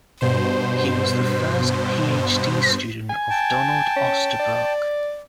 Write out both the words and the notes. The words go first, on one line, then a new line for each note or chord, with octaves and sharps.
He was the first Ph.D. student of Donald Osterbrock.
G2 B2 C5
G#5
G5 A5
C#4
D5